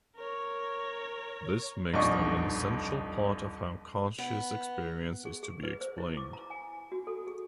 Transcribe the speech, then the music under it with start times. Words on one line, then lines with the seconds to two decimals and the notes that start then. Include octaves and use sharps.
This makes them an essential part of how conscious experience is to be explained.
0.16 A#4 C#5
1.93 D#1 B1 F2 D4 D#5 C#6
4.18 B3
5.25 G#4
5.43 G#4
5.63 B4
5.81 C5
5.98 E4
6.17 D6
6.33 A#5
6.50 G#5
6.92 F#4
7.07 A4
7.27 G#4